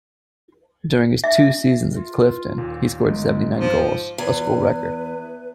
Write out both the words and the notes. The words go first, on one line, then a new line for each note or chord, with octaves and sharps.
During his two seasons at Clifton, he scored seventy-nine goals, a school record.
E5
F4
D#2 A#2
G1 G#3
G#2 F3 F4
E2 B4